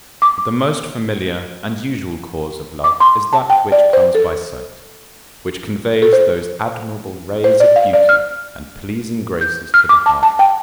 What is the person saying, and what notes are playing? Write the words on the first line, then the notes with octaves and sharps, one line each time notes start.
But the most familiar and usual cause of love is that which comes by sight, which conveys those admirable rays of beauty and pleasing graces to the heart.
D6
D6
C6
A5
G5
D5
C5
A4
A4
C5
C5
D5
F5
D5
F6
G6
F6
D6
A5
A5
G5